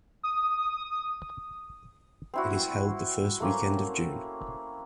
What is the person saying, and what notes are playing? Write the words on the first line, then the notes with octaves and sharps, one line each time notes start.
It is held the first weekend of June.
D#6
C4 E4 F#4
A3 A#3 C4 C#4